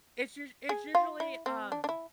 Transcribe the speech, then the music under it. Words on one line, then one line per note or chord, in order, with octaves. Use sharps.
it's usu it's usually, um,
G#4
F4
E4
C4
D4
D4
E4